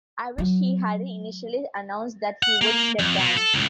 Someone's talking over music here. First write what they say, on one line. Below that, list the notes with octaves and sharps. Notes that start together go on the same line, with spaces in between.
I wish he hadn't initially announced that he would step down.
F#3
F#5
A#3
F2
B2
A4
C#2 A2